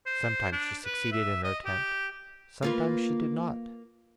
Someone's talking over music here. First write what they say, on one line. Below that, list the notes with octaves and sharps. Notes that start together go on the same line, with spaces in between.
Sometimes she succeeded in her attempt; sometimes she did not.
C5
D4
B4
E5
D#5
G4
A#3 F4 B4